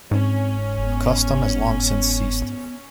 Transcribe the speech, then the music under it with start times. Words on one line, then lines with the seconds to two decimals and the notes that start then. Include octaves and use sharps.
The custom has long since ceased.
0.11 G#2 C4 C#4
0.84 B3